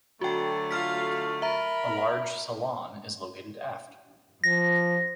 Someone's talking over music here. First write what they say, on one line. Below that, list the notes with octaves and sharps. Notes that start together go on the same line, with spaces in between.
A large salon is located aft.
D3 F#3 A3 F#4 G5
F4 F5 F6 B6
A#4 E5 A#5 B5
F3 A#6